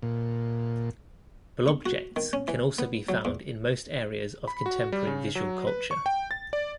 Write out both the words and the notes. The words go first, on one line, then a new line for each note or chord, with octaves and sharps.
Blobjects can also be found in most areas of contemporary visual culture.
A#2
C#6
F#4
D#3
C#4
E3
B3
F#3
E2
B5
F#4
G3
C#3
F#3
B4
C#6
G5
A6
D5